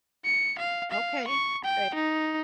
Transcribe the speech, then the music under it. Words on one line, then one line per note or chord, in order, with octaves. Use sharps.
Okay, okay.
C#7
F5
F5
C#6
G5
D#4